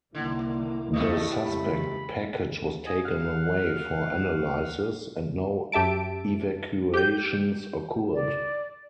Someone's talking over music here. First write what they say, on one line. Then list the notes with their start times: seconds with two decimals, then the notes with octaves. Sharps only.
The suspect package was taken away for analysis and no evacuations occurred.
0.15 C2 D3 D#3 A#3 E4
0.94 G2 A3 A#3 D#5
1.46 F2 C#3 G#3 B5
2.86 D#5 G#5
3.05 F5 F#5 F6 F#6
5.72 F#2 G4 E5 A5 D7
6.94 G4 G6
8.14 D5